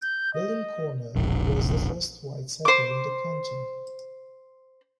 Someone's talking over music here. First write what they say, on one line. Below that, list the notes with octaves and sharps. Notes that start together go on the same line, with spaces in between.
William Conner was the first white settler in the county.
G6
D#5
E1 A#1
C5 D6